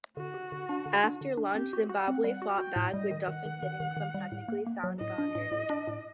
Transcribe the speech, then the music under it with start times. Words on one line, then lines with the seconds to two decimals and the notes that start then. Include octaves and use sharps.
After lunch, Zimbabwe fought back, with Duffin hitting some technically sound boundaries.
0.17 D3 F#4
0.34 G4
0.52 D3
0.69 D4
0.86 D3
1.04 D4
1.21 D3
1.37 D4
1.55 C4 G4
1.73 F#4
1.89 F#4 F#5
2.08 C4
2.24 G3 F#5
2.42 F#4
2.58 F#4 G5
2.76 A2
2.94 G3 D#5
3.11 D#3
3.28 D#3 F#5
3.46 D#3
3.63 D#3
3.80 D#3
3.97 D#3
4.14 G3
4.32 A2
4.48 A#3
4.67 A#3
4.84 F#3
5.00 A2 D#5
5.18 D4
5.35 A2
5.52 A2
5.70 D4
5.87 A2